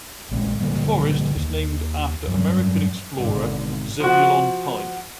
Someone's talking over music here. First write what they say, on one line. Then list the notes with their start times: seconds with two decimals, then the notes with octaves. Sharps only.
The forest is named after American explorer Zebulon Pike.
0.31 A#1 A#2 G#3 C#4
0.61 A#2 D3 G3 A#3
1.35 D#2
2.27 G2 F#3
3.17 G#1 B2 D3
4.00 F3 F#4